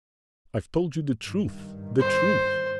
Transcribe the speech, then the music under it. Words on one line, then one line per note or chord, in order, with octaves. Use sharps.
I've told you the truth, the truth.
G2 D#3
C5